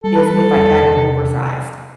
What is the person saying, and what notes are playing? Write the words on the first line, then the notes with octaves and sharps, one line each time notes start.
is if I got it oversized,
G3 A4
B4
G3 A4
E2
C3